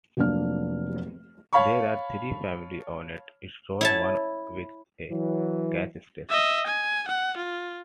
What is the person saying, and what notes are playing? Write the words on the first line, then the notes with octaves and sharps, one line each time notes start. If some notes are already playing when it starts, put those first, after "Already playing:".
There are three family owned stores, one with a gas station.
F1 F#3 A#3 D4 F6
C#5 F5 A5 B5 C#6
E4 C#5 A5
E3 F#3
D#5 E5
G#5
F#5
F4